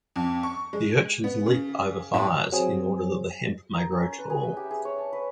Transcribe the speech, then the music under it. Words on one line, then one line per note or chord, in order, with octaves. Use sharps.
The urchins leap over fires in order that the hemp may grow tall.
F2
C#6
G#3
B3
C#3
A2
F#3 C4 G#4
A#4
C#4
A#4
B4
G#4
E5
G4
G#4
C#5
A5
B4